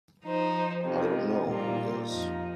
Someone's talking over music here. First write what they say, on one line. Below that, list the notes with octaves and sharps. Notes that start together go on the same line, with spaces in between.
I don't know who is.
F3 D#4 C5
F2 C3 F3 D#4
A#2 G3 A#3 F4
F2 F3 D#4